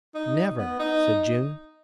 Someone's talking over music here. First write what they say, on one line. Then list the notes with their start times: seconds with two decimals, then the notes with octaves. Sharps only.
"Never," said June.
0.14 D#4
0.58 B3
0.79 D#4